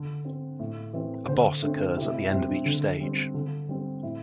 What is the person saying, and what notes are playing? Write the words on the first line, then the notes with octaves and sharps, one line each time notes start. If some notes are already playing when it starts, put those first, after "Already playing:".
A boss occurs at the end of each stage.
Already playing: D3
C4
A2
E3 C4
D3 C5
A3 C4 D4
C3 E4
E4
E4
G3 C4 G4
D4
D3
G3 C4
D3
G3 C4
A2 E4